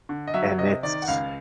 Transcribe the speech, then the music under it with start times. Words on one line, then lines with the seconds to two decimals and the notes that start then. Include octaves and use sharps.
and it's
0.09 D3
0.28 D#5
0.34 F#3 E5
0.58 C3 D#5
0.83 D#3 D5
1.02 F#5
1.08 C#2 F5